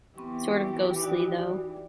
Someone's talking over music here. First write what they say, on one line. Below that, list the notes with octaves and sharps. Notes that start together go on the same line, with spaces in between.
Sort of ghostly, though.
E3 B3 C4 G4 C#6
D#4 F#4 D5